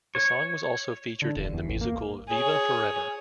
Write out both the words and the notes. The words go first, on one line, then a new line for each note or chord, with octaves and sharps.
The song was also featured in the musical Viva Forever!
C#5
D3
E1
E2
A1
A#3
G#4 C#5